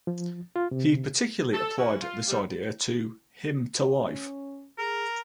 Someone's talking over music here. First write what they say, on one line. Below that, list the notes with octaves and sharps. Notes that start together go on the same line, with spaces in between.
He particularly applied this idea to "Hymn to Life".
F3
F4
C3
A4
C#3 E3 C#4 F#4
F4
C3 G3
C#4
G#4 A#4